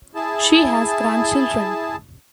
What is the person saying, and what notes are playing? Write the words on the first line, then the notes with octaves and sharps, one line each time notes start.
She has grandchildren.
E4 G#4 A5